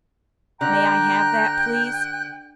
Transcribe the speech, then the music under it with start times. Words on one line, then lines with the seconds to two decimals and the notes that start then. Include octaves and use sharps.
"May I have that please?"
0.61 D3 G5 A#5 F#6